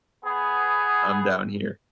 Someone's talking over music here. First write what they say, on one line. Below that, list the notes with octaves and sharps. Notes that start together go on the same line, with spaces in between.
I'm down here.
B3 G#4